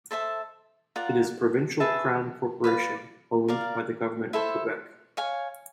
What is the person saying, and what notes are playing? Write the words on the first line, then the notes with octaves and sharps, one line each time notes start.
It is a provincial Crown corporation owned by the Government of Quebec.
A4 C5 E5 A5
F4 A#4 D5 F#5
G#4 B4 E5 A5
B4 D5 F5
A#4 D5 F5
E4 A4 C5
C#5 F5 G#5